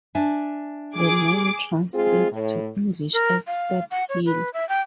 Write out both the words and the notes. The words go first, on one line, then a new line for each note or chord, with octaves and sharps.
The name translates to English as "Fat Hill".
D4 E5 G#5
G#4 D6
G#3 C4 F4 G#4
A2
A#4
F5
F#5
C#5
B4
E5
G5